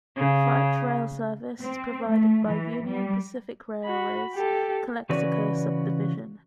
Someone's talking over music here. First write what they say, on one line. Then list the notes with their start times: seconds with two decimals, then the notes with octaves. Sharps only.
Freight rail service is provided by Union Pacific Railroad's Calexico Subdivision.
0.16 C#3
1.61 C4
2.09 A3
2.47 E3
2.86 G3
3.84 F#4 B5
4.35 G4 A4
5.09 C#3 E3 C#4 F#4 B4 D5